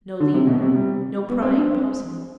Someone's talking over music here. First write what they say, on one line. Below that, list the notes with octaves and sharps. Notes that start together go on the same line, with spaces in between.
No lever; no prying possible.
D3
C3
B2
C3
G3
B3
C4
D4
C4